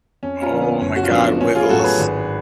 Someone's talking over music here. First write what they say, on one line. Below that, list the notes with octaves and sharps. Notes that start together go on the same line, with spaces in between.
Oh my god, Wiggles.
F2 C#4
C#4 F4
D3 F3
B3
F#1 C#4
F#4
F4
F#2 F3 B3 D4
A1 C#4
F4 G#4
A2 F#3 F#4 A4
C#5
G#4 B4
G#1